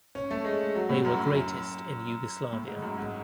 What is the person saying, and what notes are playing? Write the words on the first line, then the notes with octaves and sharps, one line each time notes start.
They were greatest in Yugoslavia.
C#4
A3
G#3
F#3
A2
F#2
F#2
A2
G#2
F#2
G#2